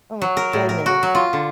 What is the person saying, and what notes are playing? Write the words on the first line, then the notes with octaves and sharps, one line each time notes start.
Oh my goodness.
F#3
A#4
A2
A#4
F#4
F#3
F4
D3